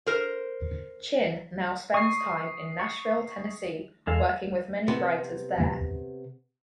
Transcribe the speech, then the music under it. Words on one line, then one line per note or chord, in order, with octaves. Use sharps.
Chinn now spends time in Nashville, Tennessee, working with many writers there.
A#4 C5
C#6 D#6 C7
C#6
E2 G#3 A4 F5
C3 B3